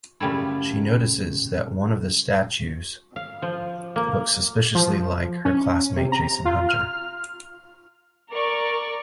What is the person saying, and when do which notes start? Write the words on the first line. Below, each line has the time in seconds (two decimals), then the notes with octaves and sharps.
She notices that one of the statues looks suspiciously like her classmate Jason Hunter.
0.20 F#2 C#3 G3 A3 E4
3.16 F5
3.42 F3
3.96 A#3
4.75 F3
5.45 C#4
5.97 C3
6.12 A#5
6.45 F4
6.69 F6
8.32 A#4 D5 C#6